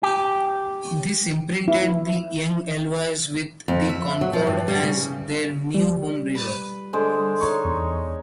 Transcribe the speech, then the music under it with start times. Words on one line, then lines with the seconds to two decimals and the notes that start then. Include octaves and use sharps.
This imprinted the young alewives with the Concord as their new home river.
0.03 G4
1.68 E4
3.68 F2
3.89 E5
4.21 F#3
4.33 F3
4.47 G2
4.68 G3
4.83 C#3
5.74 G3
6.35 B4
6.93 D3 G#3 C5
7.41 D#4 C#5 C#6
7.65 E2